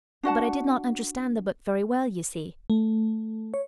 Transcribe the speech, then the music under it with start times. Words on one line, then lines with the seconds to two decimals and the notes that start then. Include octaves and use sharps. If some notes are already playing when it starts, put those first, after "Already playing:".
But I did not understand the book very well, you see.
0.23 D4 F#4 F#5 A5
2.70 A3
3.54 C#5